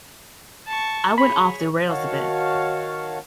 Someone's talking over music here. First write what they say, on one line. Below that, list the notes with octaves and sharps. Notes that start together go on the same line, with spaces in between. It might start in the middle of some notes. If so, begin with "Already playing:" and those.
I went off the rails a bit.
A5 C#6
G#4 C#5 B5
D#3 F#4 C#5 F5 A5